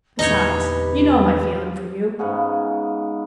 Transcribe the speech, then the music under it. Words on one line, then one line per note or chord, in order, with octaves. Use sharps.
Besides, you know my feeling for you.
E2 A#2 D3 D#4 G4 B4 C#5
G#2 C#3 B3 C#4